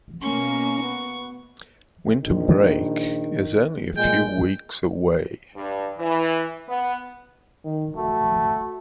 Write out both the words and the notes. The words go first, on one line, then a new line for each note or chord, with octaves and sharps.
Winter break is only a few weeks away!
B2 A#3 C#4 C#6
B3
A#1 D#3
A#2 G#3 G5
G2
E3
B3
D#3
A3 F#4